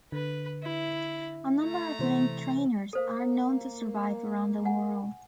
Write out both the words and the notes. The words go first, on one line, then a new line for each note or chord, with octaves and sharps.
A number of Link Trainers are known to survive around the world.
D3 B4
E4
A3 A#5
C3 E3 C5
A#3 A4 C5 F5
F#5 G#5